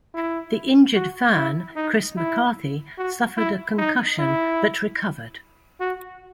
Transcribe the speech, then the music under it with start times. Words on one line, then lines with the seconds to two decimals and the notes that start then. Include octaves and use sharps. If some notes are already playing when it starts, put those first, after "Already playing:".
The injured fan, Chris McCarthy, suffered a concussion but recovered.
0.15 E4
0.95 F#4
1.36 E4
1.76 D#4
2.17 E4
2.98 F#4
3.37 E4
3.78 D#4
4.19 E4
5.80 F#4